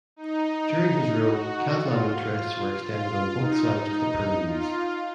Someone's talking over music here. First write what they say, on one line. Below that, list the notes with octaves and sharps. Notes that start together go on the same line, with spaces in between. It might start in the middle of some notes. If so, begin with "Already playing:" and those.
During his rule Catalan interests were extended on both sides of the Pyrenees.
D#4
F#4
F4
F4
D#4
F4